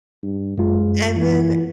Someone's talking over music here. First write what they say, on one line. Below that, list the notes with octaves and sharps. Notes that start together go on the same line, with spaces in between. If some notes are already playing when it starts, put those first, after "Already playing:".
and then
G2
F#2 G#3 F4
E3